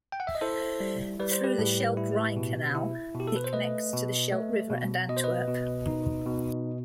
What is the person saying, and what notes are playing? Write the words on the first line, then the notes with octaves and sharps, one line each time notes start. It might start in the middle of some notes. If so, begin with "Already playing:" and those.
Through the Scheldt-Rhine Canal it connects to the Scheldt river and Antwerp.
G5
F#5
E5
D#5
E4 A4 C5
G3
G3 B4
C5
G4 B4
A2
E4
B2
E4
B2
G4
A4
B4
C5
A3 B4 D#5
B2
A3
B2
B2 D#5
C5
B4 D#5
B2
D#4
B2